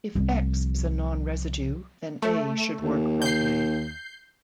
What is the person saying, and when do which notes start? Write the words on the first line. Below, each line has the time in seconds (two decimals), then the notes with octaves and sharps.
If "x" is a non-residue, then "A" should work properly.
0.15 C2 F3
2.22 A3
2.81 D#2
3.22 G6 C7